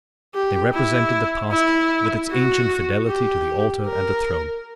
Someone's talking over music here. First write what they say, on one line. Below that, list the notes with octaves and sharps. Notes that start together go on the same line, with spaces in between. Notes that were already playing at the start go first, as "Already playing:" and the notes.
They represented the past, with its ancient fidelity to the altar and the throne.
G4
E4
E4
F#4
G4
A#4